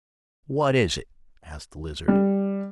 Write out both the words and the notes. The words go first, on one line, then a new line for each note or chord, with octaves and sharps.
"What is it?" asked the Lizard.
G3